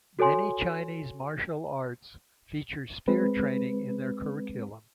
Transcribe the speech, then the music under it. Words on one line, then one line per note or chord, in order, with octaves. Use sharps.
Many Chinese martial arts feature spear training in their curriculum.
F#4 A4 C#5 G#5 C6
G#3 C4 B4